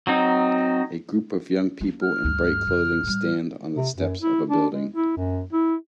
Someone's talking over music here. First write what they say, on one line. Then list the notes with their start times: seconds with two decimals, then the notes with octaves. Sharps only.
A group of young people in bright clothing stand on the steps of a building.
0.07 F#3 C4 D#4
1.81 A#3 D4
2.02 F6
2.24 D2 G2
2.67 F2 C#3
3.03 A2 G3
3.76 C3
3.95 F#2
4.21 E4
4.50 D4
4.73 G#3
4.92 E4
5.17 F#2
5.53 E4